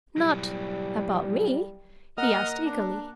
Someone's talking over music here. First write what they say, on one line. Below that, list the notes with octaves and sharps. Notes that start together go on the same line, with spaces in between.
"Not--about me?" he asked eagerly.
F#3 G3 E4 G4
A#3 A#4 D#5 F#5 D#6 F6
D4